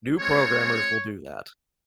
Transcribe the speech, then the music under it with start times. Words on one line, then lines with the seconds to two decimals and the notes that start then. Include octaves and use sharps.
New programmers will do that.
0.19 G#3 C4 F4 C#5